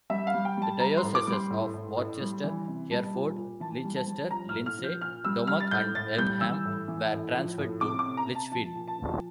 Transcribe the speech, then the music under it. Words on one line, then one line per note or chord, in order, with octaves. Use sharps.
The dioceses of Worcester, Hereford, Leicester, Lindsey, Dommoc and Elmham were transferred to Lichfield.
G3 E5
F5
G3
G5
G3 A5
G3 A#5
C6
A2
D6
G3
C6
A2
A2
A2
G3
E3
C3
G3 A5
A#2
A#2
E3 A5
G3
A5
G3
F3 A#5
A2 F6
F6
F3
G6
A#2 F6
G3 E6
G3 F6
A6
A2 G6
A2 A6
G3 G6
E3 E6
A2
E3
A2
F3
A2
C3 D6
D6
C3
A#5
C3
A5
F3 A5
A#2
A5
F3